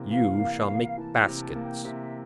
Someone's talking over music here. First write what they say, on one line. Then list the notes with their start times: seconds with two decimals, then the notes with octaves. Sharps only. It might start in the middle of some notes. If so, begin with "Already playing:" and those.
You shall make baskets.'
Already playing: C3 E3 A#3
0.10 E3 F5
0.40 A#3
0.69 E3
0.97 E3 A5
1.19 A#5
1.27 C3
1.41 A5
1.55 A#3
1.63 G5
1.84 C3 E5